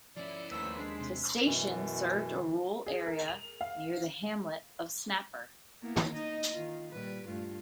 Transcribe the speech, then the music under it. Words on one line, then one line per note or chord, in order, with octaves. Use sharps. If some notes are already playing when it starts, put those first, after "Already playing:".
The station served a rural area near the hamlet of Snapper.
F3 C#4 E4 D5
D#2 A3 B3 C5 E6 B6
G#3 D4
C3
F#2 B2 E3
G#4
A#4
F7
F5
A#3 B3 E4
D#4 D#5
D#3 F4
A#2 G3 B4
G2 A3 F4